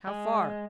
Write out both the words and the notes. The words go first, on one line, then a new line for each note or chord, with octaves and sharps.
"How far?"
G#3